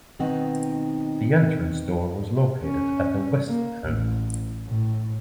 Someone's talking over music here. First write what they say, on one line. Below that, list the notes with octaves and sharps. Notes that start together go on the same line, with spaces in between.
The entrance door was located at the west end.
B2 D#3 C4 D#4 F#5
C#4
A#3
A1
A2